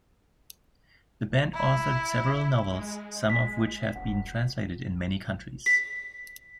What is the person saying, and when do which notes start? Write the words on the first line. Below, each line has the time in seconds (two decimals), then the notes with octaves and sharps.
The band authored several novels, some of which have been translated in many countries.
1.54 E4
2.73 G#3
3.30 B6
3.96 E1 F#5
5.66 B6